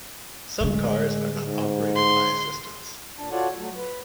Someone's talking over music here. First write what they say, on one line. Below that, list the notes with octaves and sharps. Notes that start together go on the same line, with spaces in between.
Some cars are not operated by assistants.
A2 D3 G#3
G#2
C6
A#2 D4 A5
F4 F#4 A4 C#5 D5 F#5
F#3 A3
B4